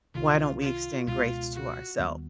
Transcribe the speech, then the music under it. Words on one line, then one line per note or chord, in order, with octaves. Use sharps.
Why don't we extend grace to ourself?"
C2 C3 D#3 F4
F4
C#2 B2 G#3 B3 F4
F#4
D#2 D#3 G3 B3